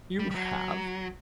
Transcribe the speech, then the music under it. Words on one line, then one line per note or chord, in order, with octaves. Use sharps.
"You have?"
G3
G3
F#3